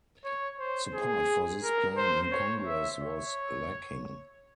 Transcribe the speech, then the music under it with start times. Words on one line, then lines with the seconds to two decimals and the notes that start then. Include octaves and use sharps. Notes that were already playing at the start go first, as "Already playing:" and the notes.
Support for this plan in Congress was lacking.
0.25 C#5
0.59 C5
0.94 G#4
1.64 A#4
1.97 C5
2.32 C#5
2.66 E5
3.01 C#5